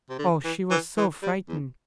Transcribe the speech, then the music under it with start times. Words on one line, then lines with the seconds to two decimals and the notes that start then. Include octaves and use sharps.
Oh, she was so frightened!
0.09 C3
0.19 D3
0.44 E3
0.71 E3
0.97 E3
1.23 G3
1.48 E2